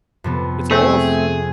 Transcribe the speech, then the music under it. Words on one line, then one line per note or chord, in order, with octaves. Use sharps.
It's off.
F2 C3 B3
A3 C4 G#4